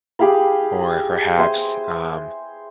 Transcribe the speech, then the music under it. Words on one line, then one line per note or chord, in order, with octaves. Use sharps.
or perhaps, um
G4 G#4 F5 B5
C5 E5 G#5 C6